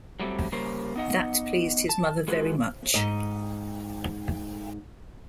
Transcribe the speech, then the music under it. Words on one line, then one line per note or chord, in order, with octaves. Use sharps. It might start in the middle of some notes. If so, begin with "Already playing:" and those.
That pleased his mother very much.
F#3 G3 A3 A#3 C4
C#3 G3 A#3 A#4 C5 C#5
B3 D#4 D#5 F#5
A5
G#3 F4 F#4 G#4 A4 B4
G#2 D#5